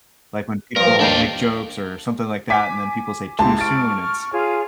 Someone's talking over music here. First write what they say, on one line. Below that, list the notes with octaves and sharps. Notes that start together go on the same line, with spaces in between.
like when people make jokes or something like that, and then people say, "Too soon," it's
G2 F3 A#4
D#2 D4 F5 G5
G#5 D6 B6
C#2 E4 G4 A5 C6
C#6 F6 A6 D7
F4 G#4 C#5